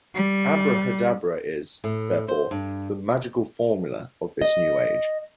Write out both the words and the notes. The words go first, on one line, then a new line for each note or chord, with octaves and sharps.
Abrahadabra is, therefore, the "magical formula" of this new age.
G3
A2
C5
G2
D#5